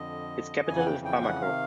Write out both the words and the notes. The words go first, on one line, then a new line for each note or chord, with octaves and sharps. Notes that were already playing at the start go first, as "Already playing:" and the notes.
Its capital is Bamako.
Already playing: F2 D3 D#5
F2 C#3 E3 G#5
F#5
G5
G5
F#5
C3 D#3 F5